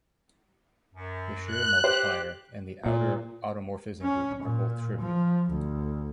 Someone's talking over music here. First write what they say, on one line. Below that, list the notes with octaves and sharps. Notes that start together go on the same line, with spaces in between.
The Schur multiplier and the outer automorphism group are both trivial.
F#2
F#6
G4 C5
A#2
C#4
A#2
F3
D2